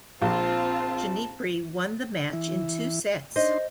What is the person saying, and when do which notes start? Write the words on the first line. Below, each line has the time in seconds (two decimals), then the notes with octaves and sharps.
Ginepri won the match in two sets.
0.22 A#1 C4 F4 A5
2.33 E3 E4
3.36 D4 D#4 C5 D#5 C6